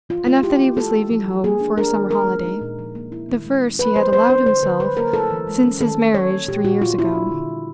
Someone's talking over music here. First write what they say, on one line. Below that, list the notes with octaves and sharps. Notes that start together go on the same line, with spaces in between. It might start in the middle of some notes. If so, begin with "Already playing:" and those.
Enough that he was leaving home for a summer holiday--the first he had allowed himself since his marriage three years ago.
E3 F4
A3 F4
E4 G4
E3
G#3 A4
C#4
F3
F3
A#3 G#4
D4
D4 A#4
D#3
G#3 A#4
B3
D#4
A#2
F3
A#3
E4
D#3
G#3
C#4
F3 B4
F3 C5
A#3 C5
D4 C5
D3 C5
D3 B4
F#3 B4
A#3 A#4
E4 A4
E3
G#3
C#4
D#3 A4
D#3
F#3 C#5
A#3
A#2 G4
A#2 F#4
F3 F4
A#3 E4
D4
D3
G3